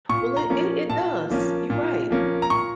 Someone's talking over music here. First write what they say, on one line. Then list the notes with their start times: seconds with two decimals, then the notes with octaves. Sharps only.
Well, it it does, you're right.
0.09 A#2 C#6
0.37 A#5
0.50 F3 A#3 C#4
0.89 A#2 A5
1.30 F3 A#3 C#4
1.70 A#2
2.10 F3 A#3 C#4
2.42 A#5
2.50 A#2 C#6